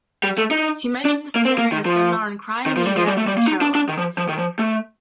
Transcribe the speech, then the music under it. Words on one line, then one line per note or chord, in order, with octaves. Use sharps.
He mentioned this during a seminar on "Crime and Media" in Kerala.
G3
A3
D#4
D4
A#3
C4
A#3
D#3
F3
D#3
F3
G3
F3
G3
A3
G3
A#3
D#4
D4
D4
D#3
F3
F3
D#3
F3
A3